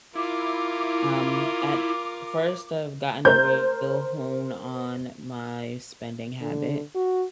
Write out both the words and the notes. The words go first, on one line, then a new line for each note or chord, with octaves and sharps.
um, at first I've gotten a real hone on my spending habit.
E4 F4 A#4 D6
A#4 C5 G6
D3
F#4